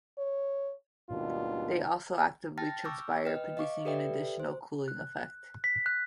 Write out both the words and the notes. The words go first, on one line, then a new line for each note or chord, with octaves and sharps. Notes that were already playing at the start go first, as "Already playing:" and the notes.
They also actively transpire, producing an additional cooling effect.
C#5
G#1 D#2 B2 G3 D4 F4
G5 A5 F6 A6 A#6
C#6 D6 E6 F6 G6
B4 D#5 G5 F6
D#5 F5 C#6 D6
G4 A4 B4 D5 E5 G5
C5
F#6
B6
F#6